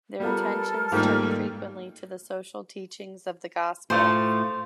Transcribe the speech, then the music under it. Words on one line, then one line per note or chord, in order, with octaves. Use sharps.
Their attentions turned frequently to the social teachings of the Gospel.
G3 B3 F4 A4 A#4 F6
G#2 D#3 G3 A3 A#3 F4 G4
A2 A3 F4 C5